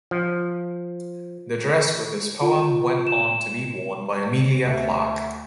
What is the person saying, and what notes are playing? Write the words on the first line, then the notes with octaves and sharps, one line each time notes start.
The dress with his poem went on to be worn by Emilia Clarke.
F3
F4
E7
D2 E5